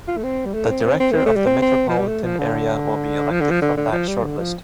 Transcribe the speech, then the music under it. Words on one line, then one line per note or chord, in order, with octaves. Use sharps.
The Director of the Metropolitan Area will be elected from that shortlist.
F4
A3
C4
G3
A3
C4
C4
C4
A3
C4
A3
G3
C4
C4
F3
G3
A3
F3
D3
F3
D3
F3
D3
D3
F3
G3
D3
F3